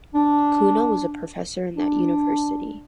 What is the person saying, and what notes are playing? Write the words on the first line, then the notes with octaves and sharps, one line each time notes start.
Kuno was a professor in that university.
D4
D4